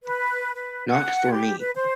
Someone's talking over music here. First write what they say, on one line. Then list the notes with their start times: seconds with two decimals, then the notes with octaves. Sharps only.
Not for me.
0.04 B4
0.55 B4
0.88 F#5
1.32 G4
1.59 B4
1.75 C5